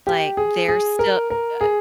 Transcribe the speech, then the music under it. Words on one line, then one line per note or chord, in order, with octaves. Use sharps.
Like, they're still, uh
G4
G#4
G#4
A#4
A#4
G#4